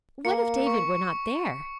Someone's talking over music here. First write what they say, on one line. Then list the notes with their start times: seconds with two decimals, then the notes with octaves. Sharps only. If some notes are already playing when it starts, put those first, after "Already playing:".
What if David were not there!
0.25 A#3 C#7
0.67 C#6